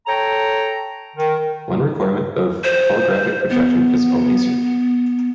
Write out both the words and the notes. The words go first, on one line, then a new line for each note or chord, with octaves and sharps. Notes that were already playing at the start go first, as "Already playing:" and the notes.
One requirement of holographic projection is a laser.
A4 C#5 G5 A#5
D#3
C5
B3